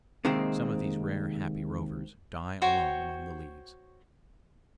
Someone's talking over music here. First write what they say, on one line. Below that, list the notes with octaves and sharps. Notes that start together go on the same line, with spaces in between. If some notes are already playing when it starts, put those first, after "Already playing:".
Some of these rare, happy rovers die alone among the leaves.
C3 D#3 G#3 A#3 C4
F#4 C5 C#5 G5